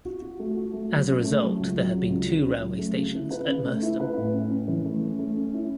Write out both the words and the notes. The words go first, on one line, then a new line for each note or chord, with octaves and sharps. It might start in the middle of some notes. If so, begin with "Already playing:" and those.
As a result, there have been two railway stations at Merstham.
F#4
F#4
A3
F#4
A3
F#3
C#4
A3
F#3
C#2
F#3
C#3
C#2
C#4
C#4
F#3
A3
C#3
E4
B4
C#3
A3
E4
B4
A2
C#4
C#4
E3
A3
C#4
A3
C#4
E4